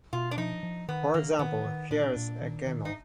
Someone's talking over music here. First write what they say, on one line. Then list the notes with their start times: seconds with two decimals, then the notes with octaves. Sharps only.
For example: Here's a camel.
0.13 B2 F4
0.31 D4
0.37 F3 D#4
0.63 F3
0.88 D#3 B3
1.14 D#3 A#3
1.39 D#3 B3
1.65 D#3
1.90 A#2 D4
2.16 A#2
2.42 D#3
2.67 D#3
2.85 D#4